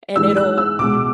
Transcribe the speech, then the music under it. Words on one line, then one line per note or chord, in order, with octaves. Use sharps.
and it'll
G#2 E3 G#3 E6
F#6
E6
C#2 B2 G#3 D6